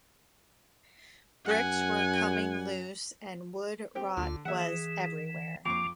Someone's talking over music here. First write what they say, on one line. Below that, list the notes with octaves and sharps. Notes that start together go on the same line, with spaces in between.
Bricks were coming loose and wood rot was everywhere.
F#2 F#5 G#5
C4 G4 G5
D2 D3 F4
E3 G#4 E5 F#5
F2 F3 C#6 D6